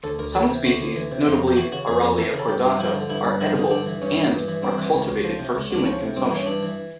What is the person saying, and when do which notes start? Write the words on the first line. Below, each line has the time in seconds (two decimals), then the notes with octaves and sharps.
Some species, notably "Aralia cordata", are edible and are cultivated for human consumption.
0.04 D2 A4
0.19 D2 A#4
0.34 E3 A4
0.50 C3
0.65 D2 F#4
0.81 D2
0.96 E3
1.12 C3
1.27 F2 F4
1.42 F2
1.48 G4
1.56 E3 F#4
1.72 C#3 F#4
1.87 F2 G#4
2.03 F2
2.18 E3 A4
2.28 A#4
2.34 C#3 A4
2.48 G2 G4
2.64 G2 F4
2.79 F3 E4
2.94 D3
3.10 G2 E4
3.25 G2
3.40 F3 E4
3.56 D3 D#4
3.71 G2 D4
3.86 E3
4.02 G2 C#4
4.17 E3
4.32 G2
4.48 E3
4.62 G2 C4
4.78 E3
4.93 C#2
5.09 C#2
5.24 F3
5.40 C3
5.55 C#2
5.71 C#2 D4
5.85 F3 C#4
6.01 C3
6.17 G2 C4
6.27 A#3
6.31 E3
6.36 C#4
6.46 G2 D4
6.63 E3